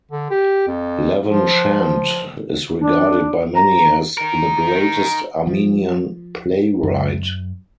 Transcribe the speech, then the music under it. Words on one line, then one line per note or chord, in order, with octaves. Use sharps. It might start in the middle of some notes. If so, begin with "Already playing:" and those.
Levon Shant is regarded by many as the greatest Armenian playwright.
D3
G4
F2
F3
D4
A#5
D#4 A#4
F3
F#2